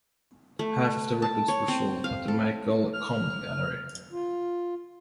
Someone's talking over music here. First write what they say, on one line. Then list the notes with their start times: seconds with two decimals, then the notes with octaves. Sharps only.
Half of the records were sold at the Michael Kohn gallery.
0.59 A3
1.22 A5
1.48 C#5
1.68 C4
2.04 F5
2.28 A4
2.93 F6
4.12 F4